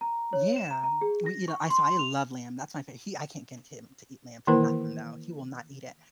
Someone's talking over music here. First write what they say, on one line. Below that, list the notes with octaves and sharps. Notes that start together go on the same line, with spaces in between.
Yeah, we eat, uh, I so, I love lamb. That's my fa he, I can't get him to eat lamb for nothing though. He will not eat it,
A#5
C#5
E7
A#5
A#5
G#4
A#6
C#6
C6
F7
D#3 E3 A#3 E4 A#4 C5